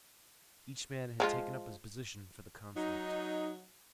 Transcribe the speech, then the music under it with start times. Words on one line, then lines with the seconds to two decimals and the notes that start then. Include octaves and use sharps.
Each man had taken up his position for the conflict.
1.20 F3 G#3 F4
2.76 F#3 D#4